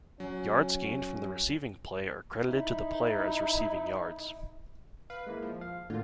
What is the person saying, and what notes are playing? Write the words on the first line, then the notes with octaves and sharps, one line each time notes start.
Yards gained from the receiving play are credited to the player as receiving yards.
F#3 C#4
D#4 E4
B4 F5
G#3 A#3 E4
F3
F5
A2 D3 A#3 F4